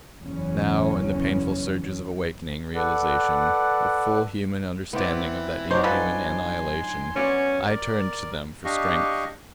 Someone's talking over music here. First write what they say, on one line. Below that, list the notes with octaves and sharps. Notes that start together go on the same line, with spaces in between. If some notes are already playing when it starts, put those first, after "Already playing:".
Now in the painful surges of awakening realization, of full human understanding of that inhuman annihilation, I turned to them for strength.
F#1 E2 E3 C#4
A4 B4 D5 F#5
E3 B3 C4 E4 D5
F#3 C4 D4 D#4 G4 C5 C#5
F3 A4 B4 G#5 C6
B3 C#4 F#4 D5
A#4 D5
D4 G4 D#5 F5 C#6